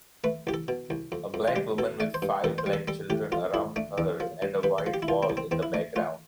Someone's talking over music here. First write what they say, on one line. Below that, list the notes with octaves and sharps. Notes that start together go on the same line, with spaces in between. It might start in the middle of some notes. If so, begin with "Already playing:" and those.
A black women with five black children around her and a white wall in the background.
A3 B4
C2 G4
A4
B2
C2
F2
F2
F4
G3 G4
B2 A4
A3 D5
C5
G2
G2 A4
C5
G3
A4
G3 A4
A2 G4
F2 F4
F2 E4
A3 D4
E2 D4
F3
G2
G2 B4
A4
F3
G4
E4
C2 F4
C4
C2
C4
E2 C4
E4
A3 D4
A3 F4